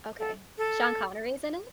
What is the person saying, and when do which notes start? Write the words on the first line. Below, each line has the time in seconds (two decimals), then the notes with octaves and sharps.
Okay, Sean Connery’s in it?
0.19 A4
0.58 A4